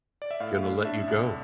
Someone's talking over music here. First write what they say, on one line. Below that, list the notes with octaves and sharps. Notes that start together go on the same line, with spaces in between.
gonna let you go,
D5
E5
A2 F5
A2
D4 E5
C2